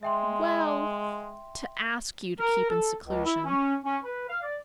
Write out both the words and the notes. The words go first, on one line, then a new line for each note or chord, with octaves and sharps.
"Well--to ask you to keep in seclusion."
G#3 E5 G5 C6
A#4
A4
C#2
E4
C#4
C#4
B4
F5
D5